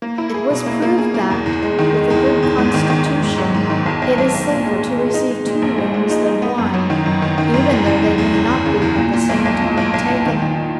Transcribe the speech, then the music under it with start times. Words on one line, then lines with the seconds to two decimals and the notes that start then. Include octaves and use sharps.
It was proved that, with a good constitution, it is safer to receive two wounds than one, even though they may not be at the same time taken.
0.02 A#3
0.18 E4
0.34 G#4
0.50 B2
0.66 A#3
0.82 A#3
0.98 G#4
1.14 A#3
1.30 E2
1.46 E2
1.62 G#3
1.79 D#3
1.94 G#3
2.10 E2
2.26 G#3
2.43 E2
2.58 G#2
2.74 D#3
2.90 D#3
3.06 D#3
3.22 G#2
3.38 F#3
3.54 G#2
3.70 D#3
3.86 B1
4.02 B1
4.18 B1
4.34 B1
4.50 A#2
4.66 G#3
4.82 G#3
4.98 G#3
5.14 D#4
5.30 G#3
5.47 A#2
5.62 A#1
5.78 A#1
5.94 G#3
6.10 D#4
6.26 D#4
6.42 B3
6.58 F#2
6.74 F#3
6.90 D#3
7.06 F#2
7.22 D#3
7.38 D#3
7.54 F#2
7.70 E2
7.86 E2
8.02 E2
8.18 E2
8.34 E2
8.50 E2
8.66 C#3
8.82 E2
8.98 A#2
9.14 A#2
9.29 B1
9.45 B1
9.62 A#2
9.77 B1
9.94 B1
10.10 A#2
10.26 D#3
10.42 D#3